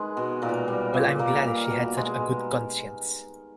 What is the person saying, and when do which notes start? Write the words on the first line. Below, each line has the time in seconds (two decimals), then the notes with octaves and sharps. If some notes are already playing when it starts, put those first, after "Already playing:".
Well, I'm glad she had such a good conscience.
Already playing: D#3 G#3 B4
0.17 B2
0.42 A#2 A#4
0.68 G3
0.94 A#2
1.19 A#3 A#4
1.44 A#3
1.70 B2
1.97 G#3